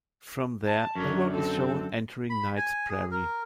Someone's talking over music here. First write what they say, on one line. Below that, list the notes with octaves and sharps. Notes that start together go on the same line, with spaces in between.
From there, the road is shown entering Knight's Prairie.
A5
F#2 D3 A#4 C#5
C4 A4
B5
G#5
G#4
A#4